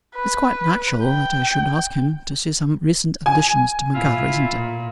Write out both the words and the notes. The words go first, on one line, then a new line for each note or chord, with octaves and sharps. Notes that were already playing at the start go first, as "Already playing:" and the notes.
It's quite natural that I should ask him to see some recent additions to my gallery--isn't it?
B4
G5
G#5
A2 E4 F4
A#2